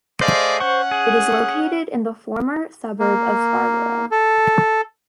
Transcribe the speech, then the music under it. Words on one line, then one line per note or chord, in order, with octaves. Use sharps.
It is located in the former suburb of Scarborough.
A3 G#4 C5 D5 D#5 F5
C#4 C5 F#5 C#6
G#4
A#3
A4